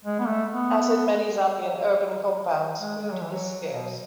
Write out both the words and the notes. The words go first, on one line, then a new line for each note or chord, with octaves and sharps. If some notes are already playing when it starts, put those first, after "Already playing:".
As in many Zambian Urban Compounds, food is scarce.
G#3
B3
A3
B3
G#3
G#3
F#3
E3
F#3
B2